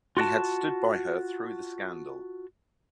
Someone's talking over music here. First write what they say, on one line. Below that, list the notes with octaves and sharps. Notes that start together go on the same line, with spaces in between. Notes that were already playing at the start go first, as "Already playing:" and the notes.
He had stood by her through the scandal.
F4 F#4 D5 A5